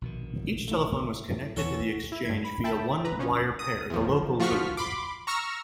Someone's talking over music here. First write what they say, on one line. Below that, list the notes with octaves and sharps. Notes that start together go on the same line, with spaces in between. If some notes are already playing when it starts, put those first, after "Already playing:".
Each telephone was connected to the exchange via one wire pair, the local loop.
A#1 B2 D#3
A3 E4
E2 E3 A4 C#5 F#5
E4
G2 G#6
B5
E5 G5 A5 B5
B4 A#5
F3 C#4
D#6
E2 F3
F3 F4 F#4 C#6 F6 B6
B5 C6 D6
A#5 C#6 E6 F6 A#6